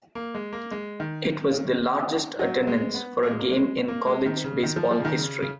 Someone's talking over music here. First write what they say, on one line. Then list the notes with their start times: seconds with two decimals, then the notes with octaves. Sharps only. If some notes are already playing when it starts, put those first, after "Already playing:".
It was the largest attendance for a game in college baseball history.
0.15 A#3
0.35 G#3
0.53 A#3
0.71 G#3
1.00 D#3
2.39 F#3
2.67 G#3
2.95 B3
3.23 A#3
3.31 G#3
3.39 A#3
3.51 G#3
3.88 A#3
4.07 G#3
4.26 D#3
4.44 C#3
4.63 D#3
4.76 F3
4.91 F3
4.99 C#3
5.05 D#3
5.19 C#3
5.42 C#3